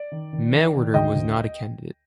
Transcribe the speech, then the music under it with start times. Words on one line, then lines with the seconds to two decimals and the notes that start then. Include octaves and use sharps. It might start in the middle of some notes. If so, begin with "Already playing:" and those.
Mewhirter was not a candidate.
Already playing: D5
0.12 D#3
0.33 D#3
0.53 D#3
0.74 D#3
0.94 D2 D#5 G5
1.15 D2